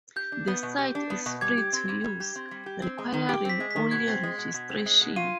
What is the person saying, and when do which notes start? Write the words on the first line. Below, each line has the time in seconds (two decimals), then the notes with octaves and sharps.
The site is free to use, requiring only registration.
0.16 G4 G6
0.32 D4
0.47 B3
0.63 B2
0.78 G4
0.95 D4
1.10 B3
1.26 B2
1.41 G3 G#6
1.58 G4
1.73 C4
1.89 G3
2.04 G3
2.20 G4
2.36 C4
2.51 G3
2.66 G4
2.82 C4
2.98 G#3
3.13 D#3
3.29 G4
3.45 C4 B6
3.60 G#3
3.71 B6
3.76 D#3
3.91 B2 G#6
4.08 C4
4.23 G#3
4.38 B2
4.54 B2
4.69 C4
4.86 G#3
5.01 B2
5.16 F4 D#7